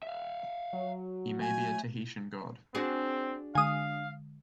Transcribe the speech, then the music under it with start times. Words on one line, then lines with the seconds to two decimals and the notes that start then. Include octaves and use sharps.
He may be a Tahitian god.
0.03 E5 F5
0.73 F#3
1.41 A3 G#5
2.75 C4 D4 F#4 G#4
3.55 D3 G#3 F5 G#5 D#6